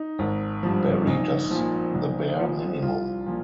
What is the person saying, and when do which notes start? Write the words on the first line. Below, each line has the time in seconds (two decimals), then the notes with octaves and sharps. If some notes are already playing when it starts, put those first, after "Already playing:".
Barry does the bare minimum.
Already playing: D#4
0.19 G#1
0.63 G2 F3
1.07 A#1 D#4
1.51 A#2 F3
1.95 A#1
2.39 A#2 F3
2.82 C2 F4
3.26 A#2 F3